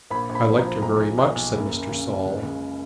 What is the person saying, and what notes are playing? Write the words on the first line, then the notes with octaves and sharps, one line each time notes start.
"I liked her very much," said Mr. Saul.
A#1 B5
A#1
B5
F3
A#5
F3
B1 A#5
B1
B1
B1
F#1
F#1
C#3
F#1
C#2
C#3